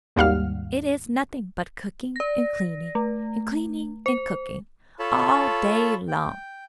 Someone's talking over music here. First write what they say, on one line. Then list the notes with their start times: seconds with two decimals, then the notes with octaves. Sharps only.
It is nothing but cooking and cleaning, and cleaning and cooking, all day long.
0.16 G#1 D#2 G3 F5 F#5 F6
2.16 D5 A#6
2.95 A3
4.06 C5
4.99 F4 A4 C#5 A5 B5
6.08 G5